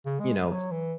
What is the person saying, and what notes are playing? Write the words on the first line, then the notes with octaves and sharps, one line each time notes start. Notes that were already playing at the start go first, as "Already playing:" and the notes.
you know, s
C#3
G#3
F#3
E3